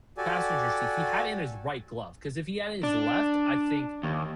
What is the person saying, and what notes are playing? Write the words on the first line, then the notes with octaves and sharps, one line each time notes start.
passenger seat, he had in his right glove, 'cause if he had in his left, I think,
F#4 G4 A4 D5 G#5
D4
D#2